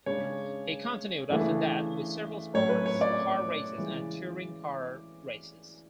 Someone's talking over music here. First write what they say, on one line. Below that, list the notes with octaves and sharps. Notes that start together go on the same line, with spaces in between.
He continued after that with several sports car races and touring car races.
C#3 G#3 D4 C#5
C#3 E3 A3 D4
A2 F#3 A3 C#4 C#5
B4
C#5
D5
C#3 E3 G#3